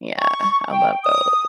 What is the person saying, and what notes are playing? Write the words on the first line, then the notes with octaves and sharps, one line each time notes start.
Yeah, I love those.
C#6
G5
D#6